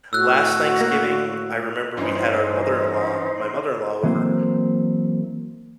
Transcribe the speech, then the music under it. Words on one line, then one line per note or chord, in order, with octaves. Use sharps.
last Thanksgiving, I remember we had our mother-in-law my mother-in-law over,
A2 F#4 E6 F#6
A#3
G2 E3 C#4 D#4 C5
E3 F#3 A#3 C4 C5